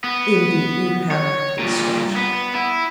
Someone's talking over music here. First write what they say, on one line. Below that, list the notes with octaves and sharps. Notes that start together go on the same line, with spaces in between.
Indeed, you have acted strangely.
B3
C#5
G2 A#2
B3
E4